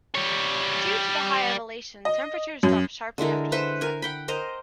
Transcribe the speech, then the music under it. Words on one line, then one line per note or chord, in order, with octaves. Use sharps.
Due to the high elevation, temperatures drop sharply after sunset.
G3 C#5
D#5
F#2
D3 G#3 E4 A#4
B4 C5 E5 F#5
A#4 G#5
F#5 G5 B5
A#4 C5 D#5 A#5